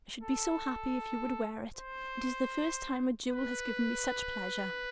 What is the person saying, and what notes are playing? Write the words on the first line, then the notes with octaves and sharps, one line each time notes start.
"I should be so happy if you would wear it--it is the first time a jewel has given me such pleasure."
A4
C5
B4